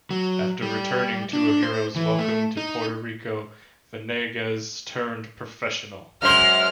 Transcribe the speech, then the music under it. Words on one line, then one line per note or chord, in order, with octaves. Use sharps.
After returning to a hero's welcome to Puerto Rico, Venegas turned professional.
F#3
G3
D4
C5
E3
A3
D#4
F#2 G#3 C5 F6